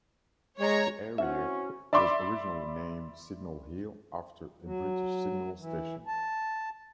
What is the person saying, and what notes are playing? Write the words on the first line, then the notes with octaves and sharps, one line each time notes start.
The area was originally named Signal Hill after a British signal station.
G#3 C#5 A#5
C4 C#4 E4 F#4 E5 F#5
D5 E5 B5 C6 D6
F#3
E3
A5